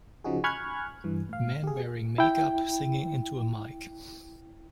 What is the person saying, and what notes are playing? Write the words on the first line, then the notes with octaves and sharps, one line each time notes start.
Man wearing makeup singing into a mic.
C#3 F3 D#4 F#4 G#4
G#5 B5 C#6 F6 F#6 G#6
G2 E3
A2 F5
G4 G#4
E4 G5